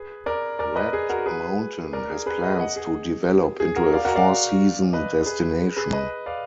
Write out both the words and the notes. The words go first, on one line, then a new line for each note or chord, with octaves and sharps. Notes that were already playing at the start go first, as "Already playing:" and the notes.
Ragged Mountain has plans to develop into a four season destination.
Already playing: G#4 B4
A#4 D5
A#4 D5
B4 D#5
G#4
F#4 A#4
G#4 B4
A#4 D5
G#4
G#4 B4
B4 D#5
D#5 F#5
G#4
G#4
F#4 A#4
D5 F5
F#4 A#4
D5 F5
B4 D#5
G#4 B4
G#4 B4
B4 D#5
D5 F5